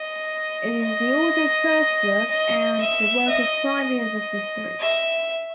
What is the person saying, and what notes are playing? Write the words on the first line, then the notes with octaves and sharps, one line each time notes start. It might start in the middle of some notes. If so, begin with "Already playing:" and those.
It is the authors' first book and the work of five years of research.
Already playing: D#5
D#5
D#5
E5
D#5
D#5
E5